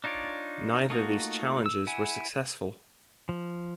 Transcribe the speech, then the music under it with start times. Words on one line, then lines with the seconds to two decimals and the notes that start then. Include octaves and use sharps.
Neither of these challenges were successful.
0.04 D4 D#4 F4 C#5 D5
0.90 A3 A#3 D#4 F4 F#4
1.66 E6
1.87 E4 F#5 G#5
3.29 F3